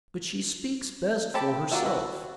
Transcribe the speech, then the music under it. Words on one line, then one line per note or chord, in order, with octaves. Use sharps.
But she speaks best for herself.
C4 G4 A4 A5 B5
A#3 D4 F4 F#4 E5
E4 F#4